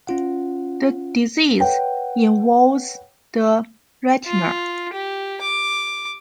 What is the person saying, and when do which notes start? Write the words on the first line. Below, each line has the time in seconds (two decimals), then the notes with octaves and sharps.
The disease involves the retina.
0.07 C#4 F4 F#5
1.60 B4 C#5 F#5 G5
4.25 F4
4.93 G4
5.41 D6